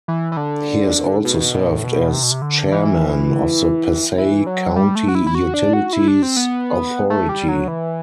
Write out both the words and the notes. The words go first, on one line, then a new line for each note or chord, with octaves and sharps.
He has also served as Chairman of the Passaic County Utilities Authority.
E3
E3
D3
B2
B2
B2
A2
B2
C3
B2
C3
D3
E3
E3
F#3
G3
A3
F#4
E4
E4
F#4
D4
F#4
E4
D4
C4
B3
A3
G3
F#3
E3